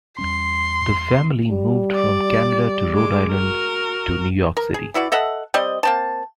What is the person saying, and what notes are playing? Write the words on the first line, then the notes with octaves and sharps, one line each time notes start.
The family moved from Canada to Rhode Island to New York City.
E2 G3 C#4 C6
G3
D5
G#3 D6
F#4 A#4
A#4
G#4
E3 E4 F#4 D5
A4 D#5 E5 F#5
G3 C4 D5 D#5
A#3 C4 A5